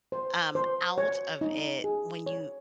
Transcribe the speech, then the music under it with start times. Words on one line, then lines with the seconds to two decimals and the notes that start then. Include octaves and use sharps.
um, out of it, when you
0.12 C5
0.55 C5
0.98 C#5
1.41 D#4
1.84 G#4
2.26 C#5